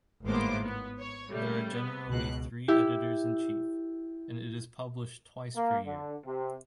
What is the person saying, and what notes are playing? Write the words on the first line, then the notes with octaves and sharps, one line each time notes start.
There are generally three editors-in-chief, and it is published twice per year.
G#1 A2 A#3 B3 C5 D6
B3
C#5
C#3 G3 A3
B3
C#2 B2 F#6
E4 G4
A#3
D3
C3